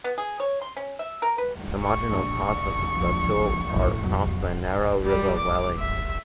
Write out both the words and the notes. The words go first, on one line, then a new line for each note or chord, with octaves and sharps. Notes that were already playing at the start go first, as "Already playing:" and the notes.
The marginal parts of the plateau are carved by narrow river valleys.
B3
G#4
C#5
C6
C#4
E5
A#4
B4
C#6
A#1
F3
A2
F2 B2 F#3
G3
D6
E5